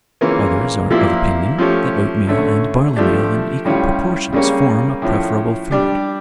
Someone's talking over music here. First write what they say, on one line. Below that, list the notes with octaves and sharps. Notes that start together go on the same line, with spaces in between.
Others are of opinion that oatmeal and barleymeal in equal proportions form a preferable food.
C#3 E3 A#3 C#4 F4
A#2 F3 A#3 E4 G4
F3 A3 C#4 G4
D3 A3 C#4
F3 A3 D4 G4
A2 G3 C#4 F4
C#3 G3 A#3 C#4
A2 F3 C#4
G3 D4 G4